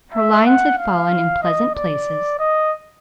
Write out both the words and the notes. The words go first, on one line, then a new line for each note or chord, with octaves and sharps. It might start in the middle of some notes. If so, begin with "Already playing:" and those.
Her lines had fallen in pleasant places.
E5
F#5
F5
D#5
D5
D#5